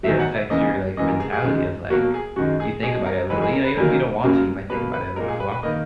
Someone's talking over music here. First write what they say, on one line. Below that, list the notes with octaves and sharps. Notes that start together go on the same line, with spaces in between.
it affects your, like, mentality of, like you think about it a little, you know, even if you don't want to, you might think about it a little too often.
E2 D#3 F#3 E5
F#5
E5
E2 C#3 E3 A#3 D#5
F#2 E3 A#3 D#5
A#4
G#4
G#4
F#2 D#3 G#3
B2 F#3 A#3 F#4
G#4
F#2 D#3 G#3 F#4
G#4
B2 G#3 G#4
A#4
G#2 E3 G#3 B4
G#4
A#4
B4
E2 D#3 F#3 A#3 A#4
F#2 C#3 F#3 A#3
B2 A#3 B4
B4
A#2 G#3 A#4
G#4
B4
B4
D#3 A#3 D#5